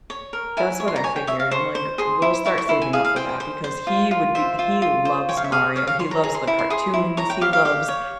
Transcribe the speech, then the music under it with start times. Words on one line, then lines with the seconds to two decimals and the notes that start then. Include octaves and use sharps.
That's what I figured. I'm like, we'll start saving up for that, because he would be he loves Mario, he loves the cartoons, he loves
0.10 C#5
0.33 A#4
0.57 E4 G#5
0.80 C#5
0.88 C6
0.96 A#5
1.04 C#5 G#5
1.16 G5
1.27 C#5 E5
1.40 F5
1.51 C5 C#6
1.75 C5
1.98 G#4 C6
2.22 E4
2.45 E4 C#6
2.58 C#6
2.69 E4 C6
2.82 G#5
2.93 G#4 F5
3.05 F5
3.16 C5 G5
3.29 G5
3.40 C5
3.64 C5
3.87 F4
4.11 F4
4.35 C5 E5
4.59 F4
4.82 F4
5.05 C5
5.29 C#5 G5
5.37 F5
5.44 E5
5.52 G#4 F5
5.76 C#5 F5
5.87 F5
5.99 C#5 C6
6.11 A#5
6.23 G#4 A#5
6.35 C6
6.47 E4
6.59 C6
6.70 G#4 C6
6.94 E4
7.17 C#5 A#5
7.30 G5
7.41 G4 F5
7.53 F5
7.65 G4 F5
7.88 C#5